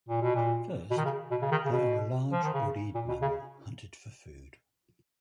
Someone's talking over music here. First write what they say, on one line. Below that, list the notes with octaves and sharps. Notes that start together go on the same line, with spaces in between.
First, they are a large-bodied mammal hunted for food.
A#2
B2
A#2
B2
D#3
C#3
B2
C#3
D#3
C#3
B2
F3
D#3
C#3
A#2
B2
C#3